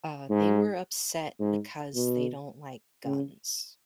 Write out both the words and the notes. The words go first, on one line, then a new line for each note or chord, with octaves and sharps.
Uh, they were upset because they don't like guns.
G#2
G#2
B2
C#3